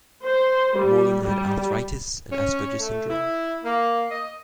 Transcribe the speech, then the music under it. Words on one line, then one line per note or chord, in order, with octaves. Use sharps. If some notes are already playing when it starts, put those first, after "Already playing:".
Morlan had arthritis and Asperger syndrome.
C5
G3
G3
C#4
A3
E4
A#3
D#5